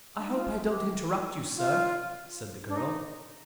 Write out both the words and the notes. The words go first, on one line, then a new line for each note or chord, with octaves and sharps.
"I hope I don't interrupt you, sir," said the girl.
D4
D#4
F4
G4
F4
D4
D#4